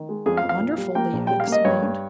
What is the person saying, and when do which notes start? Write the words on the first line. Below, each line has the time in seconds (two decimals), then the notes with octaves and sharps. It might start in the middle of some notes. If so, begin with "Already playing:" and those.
"Wonderful!" Lea exclaimed.
Already playing: D#3
0.09 G#3
0.26 F2 G#4
0.37 F5
0.43 F2
0.49 F5
0.61 A#2
0.78 G3
0.95 A#3 G5
1.13 A#1
1.27 G3 G5
1.40 F5
1.47 A#3
1.52 D#5
1.65 G2 C#5
1.82 G2